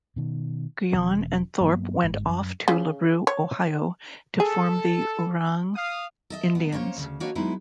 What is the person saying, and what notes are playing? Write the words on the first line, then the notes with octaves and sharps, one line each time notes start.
Guyon and Thorpe went off to LaRue, Ohio to form the Oorang Indians.
B2 D#3
E1 E2
G2 F#3 A#3 B3
G1 G#2
F#2
C#3
C#5
G#4 A4
F5 D#6
A4 D#5 E5
B3
A#3 C#4 C5 C#5
D2 C#3
A#3 D4 F#4 B4 C#5 D#5
F#3 G#3 B3 D#4 E4